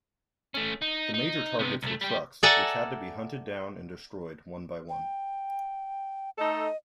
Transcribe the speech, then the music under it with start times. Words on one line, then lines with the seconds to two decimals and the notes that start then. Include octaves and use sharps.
The major targets were trucks which had to be hunted down and destroyed one-by-one.
0.54 A3 C#4
0.82 D#4
1.14 D#4
1.59 C3 B3
1.82 C2 A3
2.01 G3 G4
2.43 A4 D5 E5 F#5 G#5 A#5
4.89 G5
6.38 A3 D#4 A4 D#5